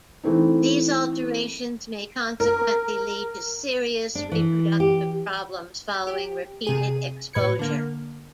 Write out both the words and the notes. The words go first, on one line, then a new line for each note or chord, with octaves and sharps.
These alterations may consequently lead to serious reproductive problems following repeated exposure.
E3 A3 C4 D#4
A#4
D4
E3
G4
G4
C3 G#4 D#7
A2 B4 G#6 C#7
D3 A#3